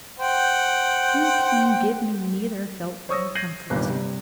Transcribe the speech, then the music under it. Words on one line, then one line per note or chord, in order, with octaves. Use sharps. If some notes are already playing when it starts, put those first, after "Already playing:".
'You can give me neither help nor comfort.'
C5 F#5 G5
C5 C#5 C#6 D#6 E6 A#6
G6 G#6 A#6 C7 D#7 F#7
G1 C2 G2 A#2 D#3
C3 G3